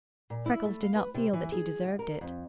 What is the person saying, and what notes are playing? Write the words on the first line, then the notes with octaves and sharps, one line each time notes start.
Freckles did not feel that he deserved it.
A#2
E4
A3
F5
B4
C3
E3
G#4
D2
A#4
F2